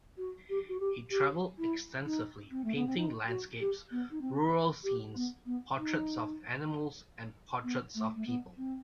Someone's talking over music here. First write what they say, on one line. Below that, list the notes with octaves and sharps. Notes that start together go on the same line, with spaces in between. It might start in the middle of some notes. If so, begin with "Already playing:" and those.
He traveled extensively painting landscapes, rural scenes, portraits of animals, and portraits of people.
F#4
G4
F#4
G4
G4
E4
D#4
C4
A3
B3
C4
D#4
F#4
G4
B3
D#4
C4
G4
B3
B3
D#4
B3
A3
A3
B3
C4